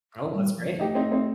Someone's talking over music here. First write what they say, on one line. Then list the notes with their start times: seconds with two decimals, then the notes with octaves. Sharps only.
Oh, that's great.
0.33 G3
0.57 F3
0.80 A3 D#4 G4
0.95 C4 D#4
1.11 C4 D#4